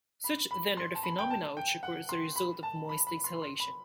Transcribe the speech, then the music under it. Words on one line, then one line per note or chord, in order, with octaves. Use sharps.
Such then are the phenomena which occur as the result of moist exhalation.
B5
B5
C6
A5
B5
G5
A5
G5
F#5
C6
B5
A5
B5
B5
C6
C6
B5